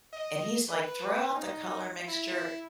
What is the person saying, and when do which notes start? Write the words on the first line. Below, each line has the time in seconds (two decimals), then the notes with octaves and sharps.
And he's like, "Throw out the color mixture"
0.13 D#5
0.69 B4
1.35 D#4
2.08 E4